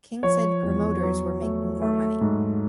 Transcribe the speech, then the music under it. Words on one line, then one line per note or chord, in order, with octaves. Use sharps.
King said Promoters were making more money.
F3 C#5
E2
F#3
A3
A3
G#2